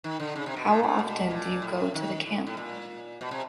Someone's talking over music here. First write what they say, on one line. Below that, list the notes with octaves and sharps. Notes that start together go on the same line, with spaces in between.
How often do you go to the camp?
D#3
D3
C#3
C3
B2
A#2
A#2
B2
A#2
A2
D#3
A2
A2
A#2
B2
C3